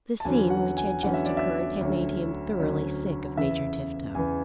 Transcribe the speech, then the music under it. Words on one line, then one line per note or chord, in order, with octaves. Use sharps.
The scene which had just occurred had made him thoroughly sick of Major Tifto.
A5
E2 D3 F#3 C#4 G#5
F#5
G#5
E2 D3 F#3 C#4 F#5
E5
D5
E5
D2 D3 F#3 C#4
D2 D3 F#3 C#4
E2 C#3 E3 E5
E2 C#3 E3 G#5